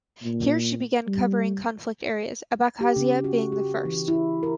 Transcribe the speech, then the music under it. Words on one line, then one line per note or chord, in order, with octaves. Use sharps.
Here she began covering conflict areas-Abkhazia being the first.
A#2
G3
G4
C#3
F#4
G4
E3
E4
A#4